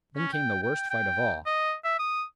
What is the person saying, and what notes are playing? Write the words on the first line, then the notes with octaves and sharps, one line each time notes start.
Then came the worst fight of all.
C#4
G5
G5
G5
D#5
E5
D#6